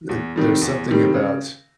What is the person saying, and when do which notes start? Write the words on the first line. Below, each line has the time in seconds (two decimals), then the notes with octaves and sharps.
a there's something about,
0.09 E2
0.36 C3 D#3 G3
0.62 E2
0.88 C3 D#3 G3
1.14 C#3